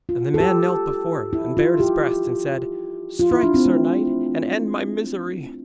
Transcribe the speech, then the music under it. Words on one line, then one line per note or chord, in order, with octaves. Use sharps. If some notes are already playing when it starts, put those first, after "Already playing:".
And the man knelt before him, and bared his breast, and said, 'Strike, sir knight, and end my misery!'
F4
A4
G4
E4
F4
G4
F4
E4
D4
C4
A3